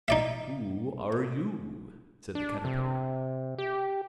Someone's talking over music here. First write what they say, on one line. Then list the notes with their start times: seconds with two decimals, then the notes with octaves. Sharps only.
'Who are YOU?' said the Caterpillar.
0.08 D#4 D5 E5
2.35 D4
2.65 C3
3.58 G4